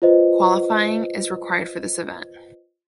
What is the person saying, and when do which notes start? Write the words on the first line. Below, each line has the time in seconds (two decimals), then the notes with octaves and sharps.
Qualifying is required for this event.
0.02 F4 B4 C5 D#5